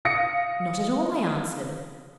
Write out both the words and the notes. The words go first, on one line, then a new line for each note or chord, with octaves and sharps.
'Not at all,' I answered.
F5 D#6 A#6 C#7